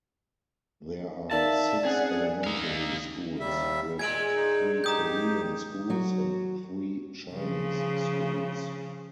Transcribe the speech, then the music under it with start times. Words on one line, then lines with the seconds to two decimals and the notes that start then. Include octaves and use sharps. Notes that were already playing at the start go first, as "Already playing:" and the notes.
There are six elementary schools, with three Korean schools, and three Chinese schools.
1.31 D#4 A#4 D5 E5 F5 A5
1.85 C4 C#4 G#4 F#5
2.44 D#4 F5
3.40 D#2 G3 E5
3.99 A#2 G#3 G#5 G#6 D7 F#7
4.35 D#4
4.84 D#4 G4 A#5 D#6 G6
5.90 F#3 F#4
7.33 C#3 F3